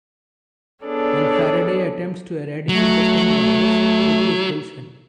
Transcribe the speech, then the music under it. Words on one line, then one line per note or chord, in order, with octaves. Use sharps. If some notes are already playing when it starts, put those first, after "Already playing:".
When Faraday attempts to eradicate the Thing virus, Whitley kills him.
B3 D4 G#4 A4 C#5 D5
F#3 A3